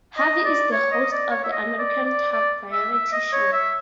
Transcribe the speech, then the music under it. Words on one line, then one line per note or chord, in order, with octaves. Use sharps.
Harvey is the host of the American talk-variety show.
D#5
D5
C#5
D#5
D5
C#5
E5
D#5
D5
D5
D5
E5
E5
D#5
C#5
E5